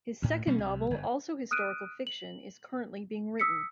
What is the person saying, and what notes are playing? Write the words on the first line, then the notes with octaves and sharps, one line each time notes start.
His second novel, also historical fiction, is currently being written.
D2 A2
B2 G3 A#3 C#4
C2 C3
G1
D#6 F6 F#6 D7 D#7
F#7
D#6 E6 B6 C#7